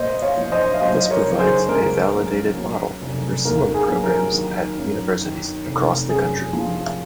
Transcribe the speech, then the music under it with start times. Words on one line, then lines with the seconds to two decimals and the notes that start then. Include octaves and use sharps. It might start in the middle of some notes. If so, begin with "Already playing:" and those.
This provides a validated model for similar programs at universities across the country.
Already playing: A#2 C5 D#5
0.22 C#5 F5
0.37 F3
0.52 C5 D#5
0.74 F5
0.81 F#3 C5 D#5
1.11 A#4 C#5
1.25 F#1
1.39 G#4 C5
1.69 C#2 A#4
2.13 F#3
2.57 F#3
3.01 F1
3.45 D#2 A#4
3.74 G#4
3.89 F#3
4.04 A#4
4.33 D#3
4.77 F#2
5.22 D#3
5.66 F1
6.09 F#2 G#4
6.53 F3